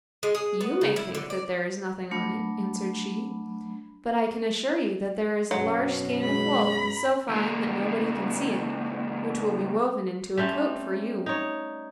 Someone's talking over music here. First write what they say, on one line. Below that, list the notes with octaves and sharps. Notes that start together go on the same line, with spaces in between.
'YOU may think that there is nothing on it,' answered she, 'but I can assure you that there is a large skein of wool, so fine that nobody can see it, which will be woven into a coat for you.'
G#3
G#4
B3
C#3
E4
D3
D5
F#3 A3 D4 B5
F#2 B2 F#3
G#3 B5
C#2 A#3
G3 A3 C4 C#4
D#4 C#5